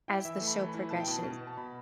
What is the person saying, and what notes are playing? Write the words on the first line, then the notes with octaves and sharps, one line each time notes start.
as the show progreshe
E4 G5
E3 E5
A3
B5
E3
B5
E4
B2 A5
G5
B2 A5
B2
B2
A5
B2 B5